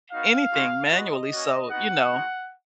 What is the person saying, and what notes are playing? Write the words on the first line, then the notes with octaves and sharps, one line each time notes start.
anything manually, so, you know.
B3 D#4 F#4 F5
G#3 D#4 F#4
B3 F#4 D#5
A#3 C#4 F#4
B3 D#4 F#4 F#5
G#3 D#4 F#4